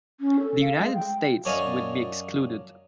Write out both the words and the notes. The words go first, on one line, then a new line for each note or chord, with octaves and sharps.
The United States would be excluded.
C#4
A4
F5
G#3
G5
F#2 D4 C#5 D#5 F5 G#5